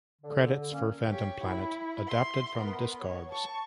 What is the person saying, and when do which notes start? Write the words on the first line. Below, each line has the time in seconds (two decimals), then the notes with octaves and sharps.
Credits for "Phantom Planet" adapted from Discogs.
0.22 D3
0.71 A#3 C#4
1.10 G4 C#5
1.44 E4
2.07 E5 C6
2.56 B3 A#4
2.99 C#5
3.32 A5 C#6